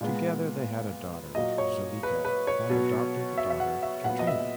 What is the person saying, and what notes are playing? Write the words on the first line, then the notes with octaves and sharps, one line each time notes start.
Together they had a daughter, Zuleika, and adopted a daughter, Katrina.
A#2 G#3 B3
A#2 F#3 A#3 D#5
C#5
B4
B4
C#5
B2 F#3 B3
E5
E5
F#5
E5
A#2 F#3 B3 F#5
D#5
E5